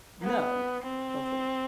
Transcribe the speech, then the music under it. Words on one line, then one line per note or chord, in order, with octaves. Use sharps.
No, no, don't say that.
B3
C4